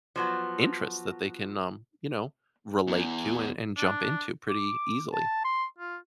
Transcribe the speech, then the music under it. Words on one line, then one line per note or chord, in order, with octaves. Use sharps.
interest that they can, um, you know, relate to and and jump into pretty easily.
F3 F#3 B3
E2
D4
D6
A5
C6
F4